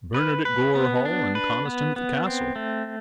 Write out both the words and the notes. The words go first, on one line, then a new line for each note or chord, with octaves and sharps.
"Bernard at Gore Hall and Conniston at the castle."
B4
B4
B3
D4
B4
B3
B3
C4
A3